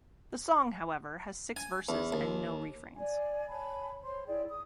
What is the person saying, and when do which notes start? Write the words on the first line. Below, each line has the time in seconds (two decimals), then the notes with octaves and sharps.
The song, however, has six verses and no refrains.
1.56 G#5
1.89 E2
2.12 D#2
2.96 D5 G#5
3.49 C#5 G#5 A5 B5
4.03 C5 C#5 C6
4.27 E4 G#4 D5 G5
4.50 D#6